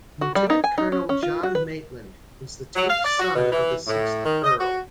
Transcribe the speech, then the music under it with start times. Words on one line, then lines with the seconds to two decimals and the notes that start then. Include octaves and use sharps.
Lieutenant-Colonel John Maitland was the tenth son of the sixth Earl.
0.21 F#4
0.35 G3
0.50 D#4
0.64 G#5
0.78 D#4
0.92 C#4
1.09 C#4
1.23 F4
1.43 F#4
1.55 B4
2.75 F#3
2.88 F5
3.05 D5
3.20 F#4
3.35 B2
3.52 E3
3.88 A2
4.25 D#3
4.44 D#5
4.59 F#4